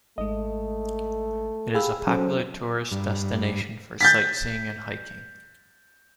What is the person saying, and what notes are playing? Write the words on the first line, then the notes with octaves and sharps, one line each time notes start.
It is a popular tourist destination for sightseeing and hiking.
G#1 G#3 A3 D#5
G4 G#4 F5 B5 E6
F#3 C#4 A4 C5
G2
G6 A6 B6